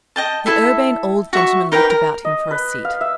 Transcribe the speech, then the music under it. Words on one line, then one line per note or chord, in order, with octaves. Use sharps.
The Urbane Old Gentleman looked about him for a seat.
D#5 G5 A5
E4 A4 E5
F#4 E5 C#6
D#4 A#4 B4 G5
A#4
D#5
B4
F5
E5